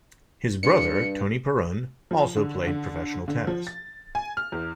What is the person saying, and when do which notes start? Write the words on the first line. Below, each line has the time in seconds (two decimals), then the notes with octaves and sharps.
His brother, Tony Parun, also played professional tennis.
0.63 G2 C#7
2.11 F3
2.36 D3
2.67 D3
3.28 D3
3.47 F3
3.67 A6
4.15 G#5
4.37 F6
4.52 E2